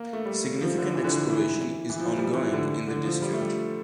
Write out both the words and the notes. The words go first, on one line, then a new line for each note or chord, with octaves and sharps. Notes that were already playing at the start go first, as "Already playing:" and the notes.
Significant exploration is ongoing in the district.
Already playing: A#3
A3
G3
F3
D3
E3
D3
E3
E3
E3
F3
G3
E3
D3
D3
F3
G3
A3
G3